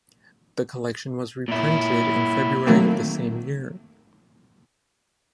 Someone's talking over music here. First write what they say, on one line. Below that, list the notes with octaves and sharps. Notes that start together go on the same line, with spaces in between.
The collection was reprinted in February of the same year.
A#2 E4
D#3 F#3 A3 A#3 C4